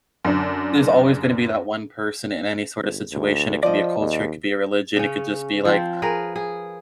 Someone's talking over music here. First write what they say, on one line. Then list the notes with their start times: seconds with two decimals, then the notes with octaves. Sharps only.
there's always gonna be that one person in any, sort of, situation, it could be a culture, it could be a religion, it could, just, be, like,
0.25 F#2 D3 D4
2.78 G1
3.12 D2
3.63 F3 D5 D#5
3.98 D#2
4.96 C#3 C#4
5.65 F3 C4
6.02 G#4 A#4 B4
6.36 G#4